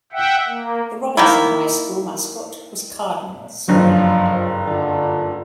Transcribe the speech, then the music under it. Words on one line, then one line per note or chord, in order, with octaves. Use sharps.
The Robinson High School mascot was Cardinals.
E5 F#5 G5
A#3
D#3 A#3 E4
F#1 G2 F3 F#3
D3 F4